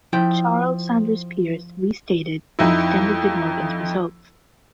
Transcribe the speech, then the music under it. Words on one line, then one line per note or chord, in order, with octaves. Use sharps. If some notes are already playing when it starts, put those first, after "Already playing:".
Charles Sanders Peirce restated and extended De Morgan's results.
F3 E4 G5
F2 D#4 E4